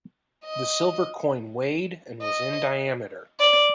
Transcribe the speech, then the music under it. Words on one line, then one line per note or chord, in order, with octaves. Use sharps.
The silver coin weighed and was in diameter.
D#5
D#5
D5